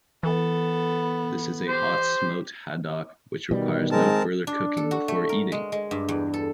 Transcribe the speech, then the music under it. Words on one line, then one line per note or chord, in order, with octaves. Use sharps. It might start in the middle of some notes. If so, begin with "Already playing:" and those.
This is a hot-smoked haddock which requires no further cooking before eating.
E3 B3 A4
G4 C5
B2 D#3 G3
G#3 C4 A#4 A5
D4
A4
F#4
A3
A#4
G#3
G#3
G2
E2
A4